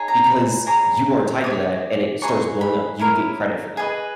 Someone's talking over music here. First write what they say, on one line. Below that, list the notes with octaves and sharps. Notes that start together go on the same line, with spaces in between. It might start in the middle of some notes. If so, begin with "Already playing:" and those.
because you are tied to that and it starts blowing up, you get credit for that
Already playing: D#4 G#4 C#5
A#5
B5
E4 G#4 C#5 A#5
G4 C#5 D#6
D#4 G#4 B4 C#6
B5
E4 A#4 C#5
G#4 B4 D#5